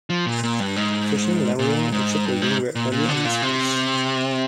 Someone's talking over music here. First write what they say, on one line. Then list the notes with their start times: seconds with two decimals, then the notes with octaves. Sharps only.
Fishing, lumbering and shipbuilding were early industries.
0.10 F3
0.26 A#2
0.43 A#2
0.60 G2
0.76 G#2
1.59 A#2
1.92 G#2
2.25 G2
2.42 G#2
2.75 A#2
2.92 A#2
3.08 D3
3.25 A#2
3.42 C3